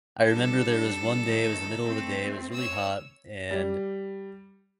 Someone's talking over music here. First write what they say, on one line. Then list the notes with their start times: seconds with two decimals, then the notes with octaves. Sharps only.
I remember there was one day, it was the middle of the day, it was really hot, and,
0.27 G3 D4 A4
1.23 A2 D#3 D#4
1.83 A3 C4
2.53 C#5 E6
3.51 G3